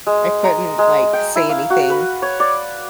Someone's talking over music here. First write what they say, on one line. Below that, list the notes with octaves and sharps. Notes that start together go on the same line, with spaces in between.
I couldn't, like, say anything.
G#3
A#5
G#3
G5
E4
F5
F#4
B4
C#5
D5